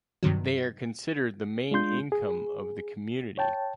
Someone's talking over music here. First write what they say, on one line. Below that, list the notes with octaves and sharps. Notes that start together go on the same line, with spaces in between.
They are considered the main income of the community.
G2 C3 D#3 F#3
G#3 D4 F4 C6 G6
G#4
C#5 G5 A5